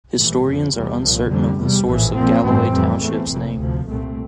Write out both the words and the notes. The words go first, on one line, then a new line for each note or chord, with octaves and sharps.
Historians are uncertain of the source of Galloway Township's name.
A#1 A2 E3 G3
F2 D3 F3
E2 C3 G3
C2 A#2 F3
F1 F2 D3 G3
E2 C3 G3
A#1 A2 E3
A#1 A#2 F3 C4
A1 G2 E3 A3 C4
F2 E3 G3
E2 E3 A3 C4
F1 F2 C3 E3
D2 C3 F3
C2 A#2 A3 C4